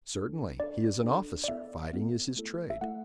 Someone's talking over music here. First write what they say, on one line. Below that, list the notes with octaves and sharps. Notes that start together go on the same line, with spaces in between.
"Certainly; he is an officer--fighting is his trade."
D4 A4
D4 A4 D5
D4 A4
D5
B3 E4 A4 E5
B3 E4 A4
A3 E4 A4
E5
A3 E4 A4 F#5